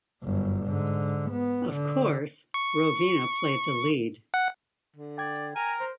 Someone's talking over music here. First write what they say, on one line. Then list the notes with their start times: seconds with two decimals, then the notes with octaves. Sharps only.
Of course, Rovina played the lead.
0.23 G1 F#2
0.65 G#2 D3
1.31 B3
1.73 D3
2.54 C#6
4.34 F#5
4.96 D3
5.18 D5 G5 G#6
5.55 A#4 G#5 A#5
5.80 C5